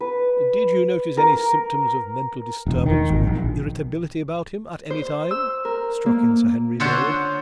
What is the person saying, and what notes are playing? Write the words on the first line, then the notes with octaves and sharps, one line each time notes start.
"Did you notice any symptoms of mental disturbance or irritability about him at any time?" struck in Sir Henry Durwood.
B4
A#4
E1
D#3
G#1
A#1
C5
E6
A#4
A#3
D3 F4 C5 C#5 F#5 A5